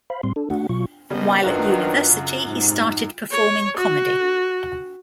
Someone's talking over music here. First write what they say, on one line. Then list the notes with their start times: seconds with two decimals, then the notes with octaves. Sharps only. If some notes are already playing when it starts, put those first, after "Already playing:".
While at university, he started performing comedy.
0.10 C5 F5 B5
0.23 A2 G3 C4 C6
0.36 D4 A4
0.50 A3 D4 F#4 F#5
0.69 B2 F#3 F4 C#6
1.10 G#1 C#3 G3 B3 D#5
1.43 F#2 D#3 D4 F4 F#4 B4
2.11 C#3
2.47 G#2 C3 D#4
3.31 C#5
3.77 F#4